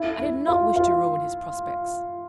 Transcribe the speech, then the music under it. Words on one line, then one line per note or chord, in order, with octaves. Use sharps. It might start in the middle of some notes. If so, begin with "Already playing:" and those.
I did not wish to ruin his prospects.'
Already playing: E4
E4
F4
F4